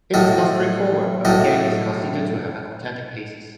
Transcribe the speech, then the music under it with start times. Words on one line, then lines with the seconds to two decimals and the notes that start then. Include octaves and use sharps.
It is not straightforward, but again is considered to have an authentic basis.
0.14 A2 F#3 D#5
1.25 A2 F#3 D#5